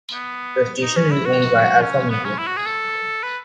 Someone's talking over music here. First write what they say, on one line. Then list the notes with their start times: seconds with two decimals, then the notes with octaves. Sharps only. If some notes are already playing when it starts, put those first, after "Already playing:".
The station is owned by Alpha Media.
0.13 B3
0.82 D#4
0.97 C#4
1.11 E4
1.26 F#4
1.82 C#4
2.10 B3
2.24 C#4
2.38 E4
2.47 F#4
2.57 G#4
2.66 A4
3.23 B4